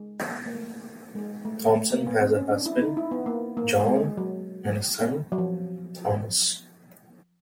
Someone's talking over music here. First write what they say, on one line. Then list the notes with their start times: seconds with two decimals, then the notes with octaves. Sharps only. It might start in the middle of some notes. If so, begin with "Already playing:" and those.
Thompson has a husband, John, and a son, Thomas.
Already playing: G#3
0.46 A#3
0.55 A3
1.15 G#3
1.45 A3
1.76 A3
1.91 A#3
2.07 B3
2.20 C4
2.36 C#4
2.51 D4
2.66 E4
2.82 D#4
2.97 E4
3.11 B3
3.26 A#3
3.57 A#3
3.87 G#3
4.17 F#3
5.32 F#3
5.38 F3